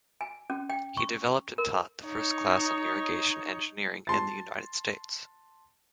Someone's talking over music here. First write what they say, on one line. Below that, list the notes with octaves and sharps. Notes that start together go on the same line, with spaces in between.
He developed and taught the first class on irrigation engineering in the United States.
G#5
C#4
G5
C#6
A#4
D#4 C#5
A5 C6 A6